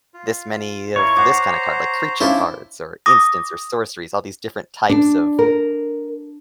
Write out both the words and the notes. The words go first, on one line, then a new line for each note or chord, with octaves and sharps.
this many of this kind of card," like, creature cards or instants or sorceries, all these different types of
F4
E4 F4 A#4 C#5
C5 F#5 A#5 D6
C#4 D4 E4 C5 F5
D6 D#6 A#6
D4
A#4